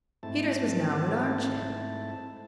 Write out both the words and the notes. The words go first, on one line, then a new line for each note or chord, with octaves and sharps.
Peters was now in an arm-chair.
G#2 A3 C4 E4 A5